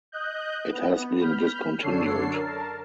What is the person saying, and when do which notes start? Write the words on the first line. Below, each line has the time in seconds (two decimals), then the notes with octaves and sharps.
It has been discontinued.
0.12 D#5 F#6 G6
0.72 B3
1.21 B5 F6 G6
1.81 F#2 D3 D4 A4 C#5 C7
2.33 A#4 A5